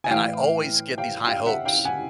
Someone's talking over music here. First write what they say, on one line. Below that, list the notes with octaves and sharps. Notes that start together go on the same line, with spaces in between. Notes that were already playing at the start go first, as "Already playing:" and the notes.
And I always get these high hopes
G#5
A2 E3 F5 G5
F5 G5
F5 G5
E5 F#5
F5 G5
F#5 G#5